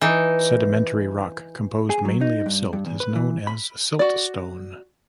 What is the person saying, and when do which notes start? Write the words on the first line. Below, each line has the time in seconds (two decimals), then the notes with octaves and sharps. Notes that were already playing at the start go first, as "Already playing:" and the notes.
Sedimentary rock composed mainly of silt is known as siltstone.
0.01 E3 D#4
1.90 G#4
2.05 F#3
2.21 D#4
2.46 G2
2.73 G2
2.86 E2
3.00 B4
3.16 E3
3.47 B5
3.99 F#4 D5